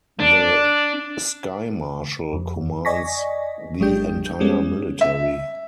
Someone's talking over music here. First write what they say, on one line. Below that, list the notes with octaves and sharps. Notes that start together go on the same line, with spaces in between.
The "Sky Marshal" commands the entire military.
D4
F2
D5 D#5 G#5 C#6 A#6 B6
G#1 F#3 G#3 D4 G4 G6
G6
G3 G#3 B3 C#4
E5